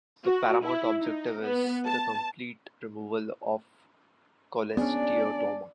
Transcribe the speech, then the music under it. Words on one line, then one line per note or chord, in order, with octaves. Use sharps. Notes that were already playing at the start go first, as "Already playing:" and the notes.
The paramount objective is the complete removal of cholesteatoma.
F#4
E4
D#4
B3
A5
B3 C#4 D4 G#4 D5